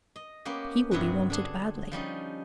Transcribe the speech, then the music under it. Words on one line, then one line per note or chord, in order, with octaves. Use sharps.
He will be wanted badly.'
D#5
A#3 B3 C#4 G4
G2 C3 F#3 B3 C4 F#4
D3 D4 G#4
F3 G3 C#4 D#4